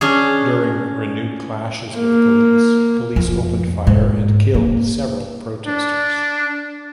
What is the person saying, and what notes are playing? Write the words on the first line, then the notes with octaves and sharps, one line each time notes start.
During renewed clashes with police, police opened fire and killed several protesters.
C#4 D4 G#4
A#3
F2
G#2
A#3
D4